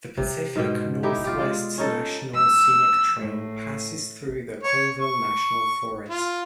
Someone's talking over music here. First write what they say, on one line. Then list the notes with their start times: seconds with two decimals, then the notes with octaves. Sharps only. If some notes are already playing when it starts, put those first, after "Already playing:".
The Pacific Northwest National Scenic Trail passes through the Colville National Forest.
0.17 C3
0.56 G#2 B2 G5
1.03 D#4 E4 G4
1.24 F4 G4
1.38 G#3 F4 D5
1.78 C#4 D#4 A4
2.34 E6
3.20 A2
4.63 C#5
4.99 C#6
6.09 F4